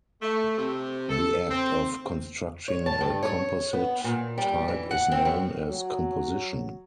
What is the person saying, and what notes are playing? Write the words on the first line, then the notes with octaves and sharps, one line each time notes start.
The act of constructing a composite type is known as composition.
A3
C3
A4
C4
C#5
A5
G2
C#5
B3
A#2
G3
E3
F#5
C4
F#2
F#3